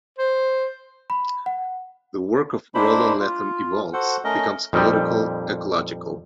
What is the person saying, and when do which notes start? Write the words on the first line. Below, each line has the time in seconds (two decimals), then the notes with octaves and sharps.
The work of Roland Lethem evolves, becomes political, ecological.
0.18 C5
1.10 B5
1.46 F#5
2.75 G#3 A#3 D4 E4 C5 B5
3.20 F4
3.93 F#4 A4 C5 F#5
4.24 A3 C#4 A#4 D#5
4.73 F2 A#2 G3 D#4 G5